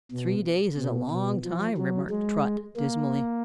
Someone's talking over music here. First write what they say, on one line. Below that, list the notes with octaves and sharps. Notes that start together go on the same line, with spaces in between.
"Three days is a long time," remarked Trot, dismally.
B2
B2
B2
F3
F#3
G#3
A#3